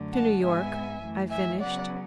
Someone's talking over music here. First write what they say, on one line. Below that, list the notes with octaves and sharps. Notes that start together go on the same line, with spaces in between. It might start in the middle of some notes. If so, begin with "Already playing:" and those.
"To New York," I finished.
Already playing: F#2 D3 F#3 A3
F#5 A5
G#2 G#3 B3 E5 G#5
F#2 E3 A3
E5 G#5
C#3 F#3 B3 D5 F#5